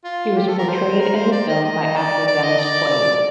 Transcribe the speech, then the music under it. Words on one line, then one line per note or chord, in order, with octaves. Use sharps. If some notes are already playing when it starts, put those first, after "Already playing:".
He was portrayed in the film by actor Dennis Quaid.
F4
G4
A4
A#4
C5
A#4
C5
D5
D#5
D#5
D5
D5
D#5
D5